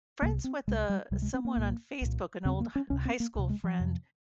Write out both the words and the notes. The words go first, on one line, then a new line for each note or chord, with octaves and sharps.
friends with, uh, someone on Facebook, an old h high school friend
C2 C3 A#3
C4
C2 C3 G#3
G3
C#2 C3 G3
G#3
C4
A#3
C2 A#2
C2 A#2
D#2 C#3 C4
A#3
C#4
C#2 C3 C#4
C4
A#3
C#2 C3
G#3
F3
F2 C3